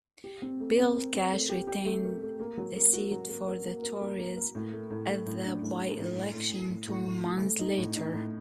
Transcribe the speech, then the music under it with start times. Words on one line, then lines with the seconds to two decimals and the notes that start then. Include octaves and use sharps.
Bill Cash retained the seat for the Tories at the by-election two months later.
0.24 G4
0.42 C4
0.60 A3
0.78 C4
0.96 A#4
1.14 C4
1.32 A3
1.49 G4
1.67 G4
1.85 A3
2.04 A#4
2.22 A3
2.40 A#3
2.57 F#3
2.75 A#3
2.93 F#4
3.11 F#3
3.29 A#3
3.47 A#4
3.65 A#3
3.83 A#4
4.01 A#3
4.19 A#3
4.37 A#4
4.55 A2
4.73 A3
4.90 A2
5.08 A3
5.26 A2
5.44 D4
5.62 A2
5.80 A2
5.98 A2
6.16 A2
6.34 A2
6.52 A2
6.70 A2
6.87 A2
7.06 A2
7.24 A2
7.42 A3
7.59 D#4
7.77 A2
7.96 D#4
8.13 A2